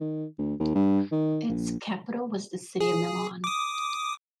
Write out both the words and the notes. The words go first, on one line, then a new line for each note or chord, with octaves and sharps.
Its capital was the city of Milan.
D#3
D2
D#2
G2
D#3
A#1
G#4
D6 D#6